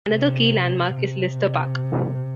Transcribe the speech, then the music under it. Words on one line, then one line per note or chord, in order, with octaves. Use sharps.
Another key landmark is Lister Park.
C3
C3